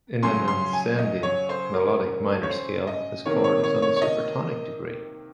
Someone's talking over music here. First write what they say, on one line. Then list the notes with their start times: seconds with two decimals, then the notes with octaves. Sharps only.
In an ascending melodic minor scale, this chord is on the supertonic degree.
0.23 C#3 F#3 C#4 C6
0.48 C6
0.73 G#5
0.99 D#5
1.23 C#5
1.49 C5
1.74 A#4
2.43 C#5
2.50 C5
2.87 D#5
3.26 C3 D#3 A#3 C#5
3.44 C#5
3.64 C#5
3.82 C#5
3.96 C#5
4.02 D#5